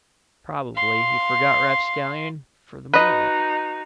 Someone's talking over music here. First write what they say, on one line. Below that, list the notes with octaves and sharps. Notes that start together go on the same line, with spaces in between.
Probably he forgot Rapscallion for the moment.
F5 C6
D#4 F#4 B4 D#5